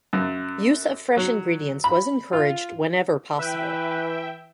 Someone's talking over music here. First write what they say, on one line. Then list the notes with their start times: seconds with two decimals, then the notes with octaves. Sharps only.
Use of fresh ingredients was encouraged whenever possible.
0.13 F#2
1.17 F#3
1.84 B5
2.33 F4
3.39 E3 B4 E5 G5